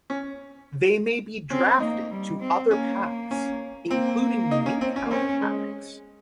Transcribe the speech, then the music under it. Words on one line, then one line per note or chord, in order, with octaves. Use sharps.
They may be drafted to other packs, including minkhound packs.
C#4
C4 C#4
A#3 D#4
G3
C4
A#3 C#4
C#4
A#3 C4
D#4
C#4
C4
C#4
A#3
C4 C#4
G#3